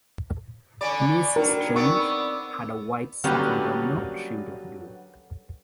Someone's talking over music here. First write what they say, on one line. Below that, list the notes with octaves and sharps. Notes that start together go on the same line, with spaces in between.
Miss Strange had a White satin domino trimmed with Blue.
D3 C#4 D5 G#5 B5
F#3 D4 D#4 A#4 G5
B3 C4 D5 C#6 E6 F#6
D3 F#3 G3 A#3 B3 C#4